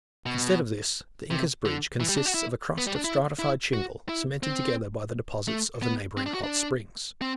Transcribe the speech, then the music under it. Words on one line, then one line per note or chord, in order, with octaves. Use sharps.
Instead of this, the Incas Bridge consists of a crust of stratified shingle cemented together by the deposits of the neighbouring hot springs.
B2
C3
D3
E3
G3
D4
F#4
E4
B3
G3
D4
E4
E4
F#4
E4
C4
A3
B3
C4
D4
F#4
D4
C4